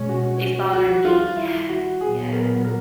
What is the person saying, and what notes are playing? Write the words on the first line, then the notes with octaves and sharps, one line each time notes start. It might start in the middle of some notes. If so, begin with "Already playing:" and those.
M "It's bothering me." Yes, yeah.
Already playing: B2 G#3 C#4
F#4
F#4
F#2 D#3 G3 F#4
F4
E4
F#4
A#2 F#3 B3 G#4
A#4
A#4